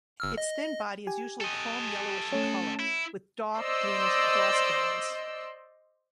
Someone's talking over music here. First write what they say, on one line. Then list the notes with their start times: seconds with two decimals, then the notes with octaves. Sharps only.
Its thin body is usually chrome yellowish in colour with dark greenish crossbands.
0.20 G1 E6 F6
0.37 D#5
1.07 G4 G#5
1.41 A4 D#5
2.32 A3 C#4
2.79 E4
3.56 C5 D5 D#5 C6 E6